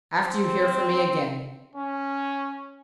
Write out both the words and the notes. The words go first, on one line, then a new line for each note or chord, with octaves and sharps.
After you hear from me again.
C4
C#4